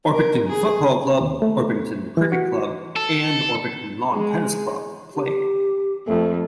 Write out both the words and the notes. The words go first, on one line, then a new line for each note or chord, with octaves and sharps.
Orpington Football Club, Orpington Cricket Club and Orpington Lawn Tennis Club play here.
A#4
G#4
D#2
A3
E3
F#4
A4
G#3
G4
F2 A3